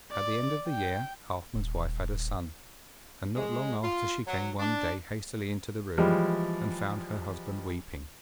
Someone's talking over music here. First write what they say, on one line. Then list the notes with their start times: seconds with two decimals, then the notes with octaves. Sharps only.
At the end of the year Halfman's wife had a son, and not long after she came one day hastily into the room, and found her husband weeping.
0.12 D5
0.69 G5
1.55 D#1
3.36 G#3
3.83 F4
4.27 F#3
4.60 D4
5.98 E3 F3 G3 G#3